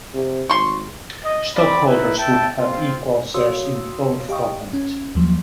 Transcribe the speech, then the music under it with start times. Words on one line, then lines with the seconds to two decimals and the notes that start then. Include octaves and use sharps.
Stockholders would have equal shares in both companies.
0.14 C3
0.49 G#1 C6 C#6
1.24 D#5
1.56 C4 D5 B5
1.87 D#4 E4 B4
2.18 E5 G5 A5
2.58 C4 F4
3.34 F#4 C#5 F5 C6 D#6 E6
4.29 G4 D#5 F5 G5 C#6 D#6
4.73 C#4
5.15 D#2 F3 F#3 A#3